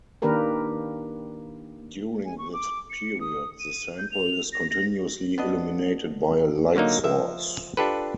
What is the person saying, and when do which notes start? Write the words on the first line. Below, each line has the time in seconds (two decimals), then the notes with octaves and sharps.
During this period, the sample is continuously illuminated by a light source.
0.22 D#3 A#3 D4 G4 A#4 B4
2.25 G#5
2.38 C#6
2.53 D6
2.90 C#7
3.21 D#6
3.60 D#7
3.98 G6
4.12 F7
4.53 A#6
4.70 A#6
5.38 B3 D4 D#5
6.76 D3 F#3 A#3 D#4
7.04 F3 E5
7.77 D4 F4 G4 A4 B4